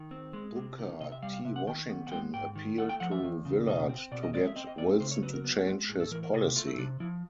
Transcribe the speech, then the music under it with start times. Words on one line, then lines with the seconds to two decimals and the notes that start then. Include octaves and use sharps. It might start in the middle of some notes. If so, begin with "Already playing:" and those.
Booker T. Washington appealed to Villard to get Wilson to change his policy.
Already playing: D#3
0.11 C4
0.33 G#3
0.56 C3
0.78 D#3
1.00 C3 D#5
1.12 E5
1.22 G3 F5
1.33 F5
1.45 C3 E5
1.56 F#5
1.67 D#3 G5
1.89 B3
2.07 F#5
2.11 G#3 G5
2.34 G#2 G5
2.55 D#3
2.78 A3 F#5
2.89 G5
3.00 F3 F#5
3.11 E5
3.23 E2
3.45 C#3
3.67 B2 D#5
3.89 C4
4.11 B2 D5
4.23 D#5
4.33 G#3 D5
4.47 E5
4.56 C4 D#5
4.67 D#5
4.78 A3 D5
5.00 C#3 C5
5.12 C#5
5.23 F#3 B4
5.33 A#4
5.44 B3 B4
5.56 F#4
5.67 G#3 F#4
5.89 A2 G#4
6.00 A4
6.11 E3 A#4
6.23 A#4
6.33 C3 G#4
6.56 A3 F4
6.67 E4
6.78 C3 D4
7.00 F3 E4